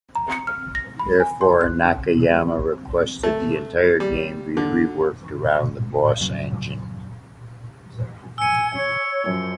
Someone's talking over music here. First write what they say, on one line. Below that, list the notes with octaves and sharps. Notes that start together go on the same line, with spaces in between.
Therefore, Nakayama requested the entire game be reworked around the boss engine.
A#5
C#7
F6
A#6
B5
G#5
C6
F#6
A3
G3
D3
E2 G2 A#2 C#3 F#3
G#5 E6 C#7
C#5
F#2 F3